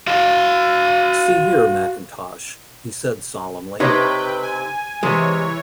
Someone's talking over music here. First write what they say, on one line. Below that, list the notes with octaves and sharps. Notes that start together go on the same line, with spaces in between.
"See here, Mackintosh," he said solemnly.
F#4 F5
C3 D#4 B4 C#5 G5
G#5
C3 E3 G#3 C#5